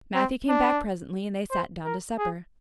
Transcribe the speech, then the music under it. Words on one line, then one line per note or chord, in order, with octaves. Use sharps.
Matthew came back presently and they sat down to supper.
C4
D4
C5
A#4
G#4